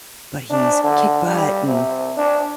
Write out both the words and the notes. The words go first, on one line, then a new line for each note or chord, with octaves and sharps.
but he's kick butt and,
D4
D3
G3
C3
D4